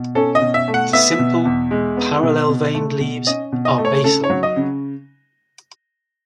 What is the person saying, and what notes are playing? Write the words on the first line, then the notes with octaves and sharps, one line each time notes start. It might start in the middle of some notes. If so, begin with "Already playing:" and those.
The simple, parallel-veined leaves are basal.
Already playing: B2
C#4 A4
D#5
B2
E5
A3
F#5
B3 E5
B2
E2
G#3
B3
B2
B2
A3
B2
C#4 D#5
B2
D#5
A3
C#5
C#3 A4
C#5
F#3
D#5
C#3